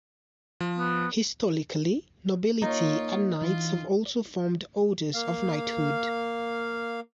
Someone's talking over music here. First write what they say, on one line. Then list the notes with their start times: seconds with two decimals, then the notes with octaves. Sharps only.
Historically, nobility and knights have also formed Orders of Knighthood.
0.60 F3
0.78 B3
2.62 A#3 D#4 F4 C#5
3.42 E3 F4
5.14 A#3 F5